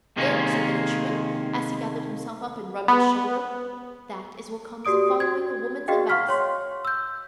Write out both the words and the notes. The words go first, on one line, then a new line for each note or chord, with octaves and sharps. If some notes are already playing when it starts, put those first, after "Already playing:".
"There!" said the fisherman, as he gathered himself up and rubbed his shoulder, "that is what comes of following a woman's advice!"
C3 D#3 G#3 A#3 C#4
B3
F#4 G4 D5 D#6 D7
F#4 G#6
F#4 G#4 D#5 F5 G5
F5 F#5 C#6 F6 B6
C#5 C6
E6 G6